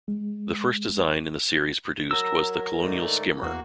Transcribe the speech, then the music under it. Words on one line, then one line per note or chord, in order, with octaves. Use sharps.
The first design in the series produced was the Colonial Skimmer.
G#3
F#3 A#4 E6
G#2 D3 A3
E2 A#3 F#4